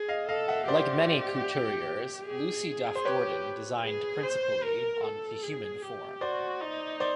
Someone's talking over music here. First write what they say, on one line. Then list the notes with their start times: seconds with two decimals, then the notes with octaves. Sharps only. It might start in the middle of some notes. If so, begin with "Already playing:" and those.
Like many couturiers, Lucy Duff-Gordon designed principally on the human form.
Already playing: G#4
0.08 D#5 F5
0.28 A4 D#5 F5
0.48 E5 F#5
0.68 G4 C5 D5
2.26 G#4
2.95 C5
3.05 G4 B4 C#5
3.84 G#4
4.23 C5
4.63 A#4
5.03 A4
5.42 G#4
5.82 G4
6.21 F#4 C5 D5
6.61 D#4
7.00 C5 D5